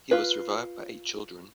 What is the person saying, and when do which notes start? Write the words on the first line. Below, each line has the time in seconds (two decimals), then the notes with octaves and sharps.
He was survived by eight children.
0.11 F4 B4